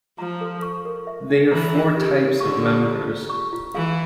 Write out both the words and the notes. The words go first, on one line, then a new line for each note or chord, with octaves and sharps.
They are four types of members.
F3 A#5
A4
C#6
A#4
E5
D4
E3 A#5
F4
G4
G4
D3 C#6
A4
F4
F4
C#6
F4
E3 F5